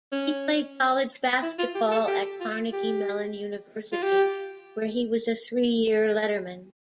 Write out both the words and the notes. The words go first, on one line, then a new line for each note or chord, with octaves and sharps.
He played college basketball at Carnegie Mellon University, where he was a three-year letterman.
C#4
E4
F4
G4
A4
G4
F4
G4
F4
G4